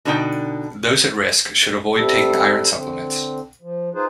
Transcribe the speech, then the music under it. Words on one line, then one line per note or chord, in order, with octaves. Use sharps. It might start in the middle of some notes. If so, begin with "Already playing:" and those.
Those at risk should avoid taking iron supplements.
B2 D3 B3 D4 D#4 G5
C3 G3 A4
D3 C4
F3
D#4 F4 G#4 B4 C5